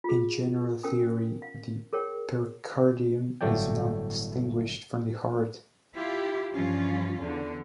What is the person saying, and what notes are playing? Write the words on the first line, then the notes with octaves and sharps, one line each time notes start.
In general theory, the Pericardium is not distinguished from the Heart.
F4 G#4
C#4 A#4 G5 G#5 D#6
F5
G#4 A#4 C#5 G5
G1 A2 F#3 A3 D5 G5
E4 F4 G4
G2 E3 F3 C#4 F4
E2 D3